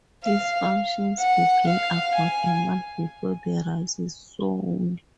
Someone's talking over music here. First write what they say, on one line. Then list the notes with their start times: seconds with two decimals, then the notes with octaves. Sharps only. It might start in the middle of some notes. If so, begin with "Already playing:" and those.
His functions begin about a month before the rice is sown.
0.23 F5
1.19 F#5
1.67 F5
2.14 G#5